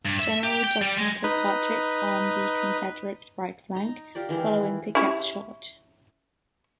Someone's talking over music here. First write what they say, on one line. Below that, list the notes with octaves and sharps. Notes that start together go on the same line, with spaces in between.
General Judson Kilpatrick on the Confederate right flank, following Pickett's Charge.
G2
E5
G4
G5
G3
G#3
D#4 B4
D#4 A#5
F4 G4 A#4 D5
D#3 E3 G#3 E4
C#4 E4 G4